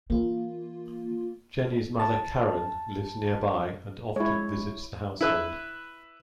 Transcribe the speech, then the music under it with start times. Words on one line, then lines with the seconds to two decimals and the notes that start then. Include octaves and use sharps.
Jenny's mother Karen lives nearby and often visits the household.
0.10 E3 A#3 F4
1.99 A5
4.16 G#3 E4 C#5
5.21 E4 B4 E5